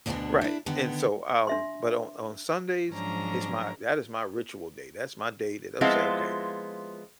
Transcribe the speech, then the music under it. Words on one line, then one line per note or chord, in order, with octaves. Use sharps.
Right and so, um, but on on Sundays, it's my that is my ritual day, that's my day that I'll say, "Okay,
D2 B2 D3 G3 B3 D4
D4 E4
D3 D#3 B3
D4 E5 C6
G#2 F3 F#3 C#4 D4 A#5
F3 G#3 B3 C4 E4 F4